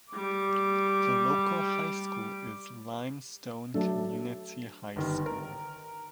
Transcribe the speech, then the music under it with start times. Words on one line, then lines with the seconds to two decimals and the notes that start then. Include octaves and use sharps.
The local High School is Limestone Community High School.
0.12 G3 D6
3.74 F#3 A3 D4 A4
4.96 G1 D#3
5.26 A#4